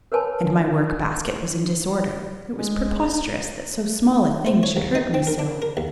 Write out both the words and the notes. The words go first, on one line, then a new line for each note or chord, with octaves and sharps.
And my work-basket was in disorder; it was preposterous that so small a thing should hurt me so.
A#4 B4 C#5 G#5 A5 B5
G#3
C5
C#5
D#2
D#4
C4
A#4
D4
A#4
D#2